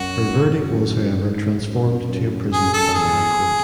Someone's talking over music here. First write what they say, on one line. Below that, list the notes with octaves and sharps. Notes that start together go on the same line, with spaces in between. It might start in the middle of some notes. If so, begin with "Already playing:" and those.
Her verdict was however transformed to imprisonment by the high court.
Already playing: F#2 F#4
F#2
G#2
F#2
F#2
G#4
A4
E2 G#4